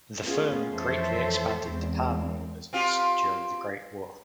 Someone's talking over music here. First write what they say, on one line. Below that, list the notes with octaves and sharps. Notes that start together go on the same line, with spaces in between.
The firm greatly expanded the palm oil business during the Great War.
A3 B3 C#4 F4 G#4
F2 E3 A4 C5 C#5 E5
E2 G#3 C4
C4 F4 G4